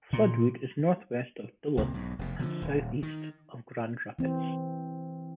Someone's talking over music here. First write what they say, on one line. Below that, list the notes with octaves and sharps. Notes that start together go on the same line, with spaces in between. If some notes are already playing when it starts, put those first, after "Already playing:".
Floodwood is northwest of Duluth and southeast of Grand Rapids.
A#2
G1 C#2 C3 A#3
B1 G#2
F1 B2
D3 F3
D#1
D#3
E3 C4